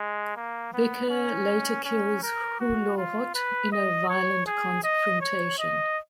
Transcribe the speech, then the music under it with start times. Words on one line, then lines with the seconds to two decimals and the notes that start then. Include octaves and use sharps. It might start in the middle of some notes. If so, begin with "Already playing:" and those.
Becker later kills Hulohot in a violent confrontation.
Already playing: G#3
0.36 A#3
0.74 B3
1.10 C#4
1.85 C#4
2.23 A#4
2.60 F#4
2.97 F4
3.35 B4
3.72 D#5
4.09 C#5
4.46 G#4
4.84 D#5
5.21 C#5
5.59 D#5